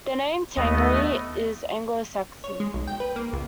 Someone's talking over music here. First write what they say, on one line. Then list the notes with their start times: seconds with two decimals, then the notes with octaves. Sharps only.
The name Tangley is Anglo-Saxon.
0.57 D#2 A3 B3 D#5
2.44 C#5
2.60 G#3
2.74 B1
2.87 G5
3.00 B4
3.16 A#3
3.33 C#2